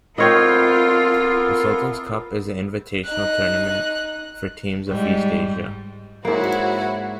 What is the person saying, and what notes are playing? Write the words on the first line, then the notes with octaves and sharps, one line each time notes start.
The Sultan's Cup is an invitational tournament for teams of East Asia.
B3 C4 E4 F4 A4 A#4 C#5 D#5
D#4 F#6
G#2 G3
G#2 A#3 E4 F#4 C#5